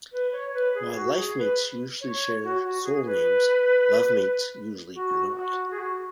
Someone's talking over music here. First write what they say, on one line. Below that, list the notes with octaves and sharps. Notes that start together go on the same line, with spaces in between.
While lifemates usually share soul names, lovemates usually do not.
B4
C#5
B4
G#4
F#4
G#4
B4
C#5
F#4
F#4
G#4
B4
F#4
F#4
G#4
F#4